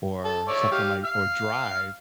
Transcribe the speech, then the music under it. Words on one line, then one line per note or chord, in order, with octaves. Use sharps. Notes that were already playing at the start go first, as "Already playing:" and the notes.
or something like or drive
A4
C#5 D5 E5
G4 F5
F5 F6